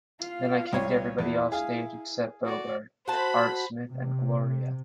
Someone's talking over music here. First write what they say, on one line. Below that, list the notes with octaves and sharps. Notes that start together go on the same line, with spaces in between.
Then I kicked everybody off stage except Bogart, Art Smith and Gloria.
F4 F5
C2 C#5
E2 E4
G#4 F5
F#4 D5
F#4 C5 A5 B5
C3